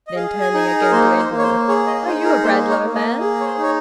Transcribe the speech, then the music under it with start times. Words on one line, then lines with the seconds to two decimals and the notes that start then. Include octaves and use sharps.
Then turning again to Edwin: "Are you a Bradlaugh man?"
0.07 D#5
0.16 G#4 F5
0.41 G#5
0.54 D#4 G#5
0.66 A#5
0.81 A#4
0.92 A#3 C5
1.18 C5
1.30 A#3
1.38 C#5
1.43 C5
1.68 G#4 C#5
1.87 D#5
2.06 D#4 C5
2.25 A#4
2.44 A#3 C5
2.70 C#5
2.82 A#3
2.95 D#5
3.20 G#4
3.40 C#5
3.46 C5
3.58 D#4 C#5